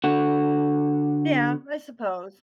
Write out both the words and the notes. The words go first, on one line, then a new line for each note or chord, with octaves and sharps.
Yeah, I suppose.
D3 F#4